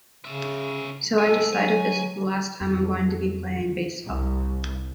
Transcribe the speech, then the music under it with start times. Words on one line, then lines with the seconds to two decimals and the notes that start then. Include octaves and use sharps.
So I decided this is the last time I'm going to be playing baseball.
0.25 C#3 C#4 E5
1.18 F#2 A4 G#5
1.53 F#3 G#5
2.61 F2
4.05 C2